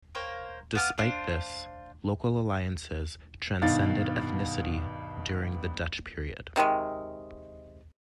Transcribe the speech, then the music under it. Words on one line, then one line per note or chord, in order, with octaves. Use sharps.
Despite this, local alliances transcended ethnicity during the Dutch period.
A#3 C5 C#5 G5
B3 F4 D6 F6
D4 F4 C5
G2 B2 D#3 D#4 F5 A6
C3 D#3 G3 G#3